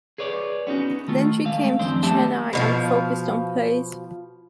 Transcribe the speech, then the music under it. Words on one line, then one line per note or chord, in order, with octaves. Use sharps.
Then she came to Chennai and focused on plays.
G#4 B4 C#5 D5
B3 C#4 D#4 F#4
D#3 A3 F4
G#3 A3 F5
F#2 D#3 F3 C4 D4 C5
G3 A3 B3 G4 E5 A5
B2 D3 F3